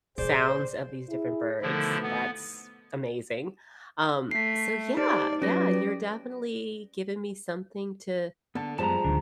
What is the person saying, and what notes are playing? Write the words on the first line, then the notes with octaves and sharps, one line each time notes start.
sounds of these different birds, that's amazing. Um, so yeah, yeah, you're definitely giving me something to
A#2 E3 G#4 C5 D5
E4 G#4
B2 D3 D#3 F3 A3 E4
B3
A3 B6 C7
D#4 G4 C5 D5
F#3 C#4 G4 B4 D5 A#6
D3 B3 A4 A5
F#2 F3 G3 G#3 B3 A5 A#5
D1 D2 D#3 D4